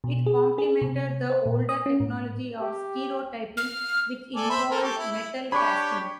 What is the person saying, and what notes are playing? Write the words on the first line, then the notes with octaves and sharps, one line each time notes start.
It complemented the older technology of stereotyping, which involved metal casting.
B2
G#4
G#4
C3
C5
A#2
D#6
C#4
A2
G4
F6
A4 D5 G#5
C5 E5 B5
A4 A#4 G#5
G4 A4 C#5
E4
E4
D4 G4 C#5 B5 C#6